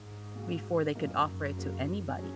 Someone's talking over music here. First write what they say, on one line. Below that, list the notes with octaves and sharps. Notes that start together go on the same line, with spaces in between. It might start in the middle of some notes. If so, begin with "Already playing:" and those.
before they could offer it to anybody.
Already playing: G#2
A#2 G#3 F#4
F#2 A#2 F#3 D#4 A#4 D#5
C#3 F#3 A#3 F#4
F#3 C#4 G#4